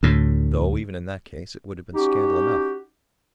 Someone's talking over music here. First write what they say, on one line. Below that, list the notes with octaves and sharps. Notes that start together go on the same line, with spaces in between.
Though, even in that case, it would have been scandal enough.
D2 A2
C#4 D#4 F#4 G4